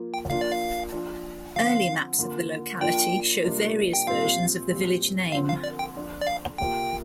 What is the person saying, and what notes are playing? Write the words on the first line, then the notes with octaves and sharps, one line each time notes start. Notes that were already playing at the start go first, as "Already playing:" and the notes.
Early maps of the locality show various versions of the village name.
Already playing: F3 A#3 F4
G5
F3 A#3 D4 F4 F5
D5
F5
F3 D4 F4
D3 F3 C4 F4 F5
D3 A#3 F4
F3 A#3 D4 F4 G5
C3 G3 A#3 D4 F4
G5
A#2 G3 C4 F4 F5
A#2 G3 C4
D3 F3 C4 F4 F5
F5
D5
G5
F3 D4 F4
D5
F5
C3 A#3 F4 G5